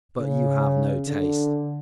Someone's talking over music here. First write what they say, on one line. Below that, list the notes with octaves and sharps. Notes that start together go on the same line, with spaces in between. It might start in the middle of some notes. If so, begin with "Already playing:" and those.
But you have no taste!
C#3
D3